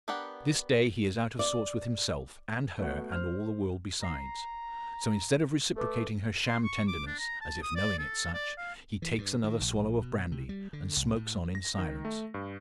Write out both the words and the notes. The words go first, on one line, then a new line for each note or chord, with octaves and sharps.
This day he is out of sorts with himself, and her and all the world besides; so instead of reciprocating her sham tenderness--as if knowing it such--he takes another swallow of brandy, and smokes on in silence.
B3 D4 G4 A#4 F#5
D5
A3 B3 F#4 F#5
C5 F6
A#5 A#6 C7
A3 A4 B4 D6
C6
C#6
D6
D4
A#5
A5
D#6
D5
A4
D5
F5
E3
G2
D#3
A#1
B2
C3
G3
D3
C2
A2
A#6
D#3
A3
G2